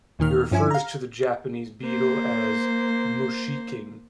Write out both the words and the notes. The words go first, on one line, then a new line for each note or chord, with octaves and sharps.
He refers to the Japanese beetle as "Mushiking".
D#2 A#2 D#3 F6
G2 F3 C#4 E4 G#5
F5 A#5
A#3 C5